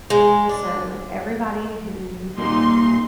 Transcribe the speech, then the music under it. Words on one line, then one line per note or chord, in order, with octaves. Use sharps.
So, everybody who
G#3
D4
A#2 G3 A#3 D#4 C6